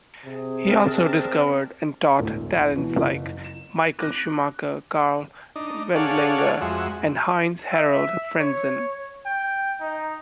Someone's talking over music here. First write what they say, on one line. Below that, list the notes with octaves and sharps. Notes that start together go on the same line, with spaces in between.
He also discovered and taught talents like Michael Schumacher, Karl Wendlinger, and Heinz-Harald Frentzen.
C3 G#4
C4 D4 A#4 A5
E1 A1 D2
B2 E3
F#1
E7
D6 F#6 A#6
D4 D#4
G#4 A4 C#5 D5 F5 F#5
F2 G#3 F#4 E5 C6
E5
C#5
G5
D#4